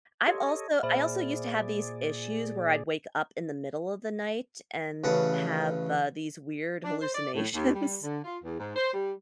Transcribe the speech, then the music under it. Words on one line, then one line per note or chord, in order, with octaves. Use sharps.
I've also I also used to have these issues where I'd wake up in the middle of the night and have, uh, these, weird hallucinations.
G4 A4 C#5 D#5
A#2 G#4 C5 D5 E5 B5
A1 C#3 B4 F#5 A5
D4
C5
D5
A2
D#2
G3
D3
F4
E2
G#2
C5
G3